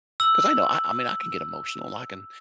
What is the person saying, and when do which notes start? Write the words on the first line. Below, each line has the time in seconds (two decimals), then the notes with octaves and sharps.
'cause I know, I I mean, I can get emotional, I can
0.20 E6 F#7